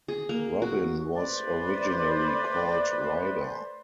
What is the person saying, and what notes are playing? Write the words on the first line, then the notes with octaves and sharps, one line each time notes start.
Robin was originally called Ryder.
G#4
A#3
F#4
A3 B4 C5 D5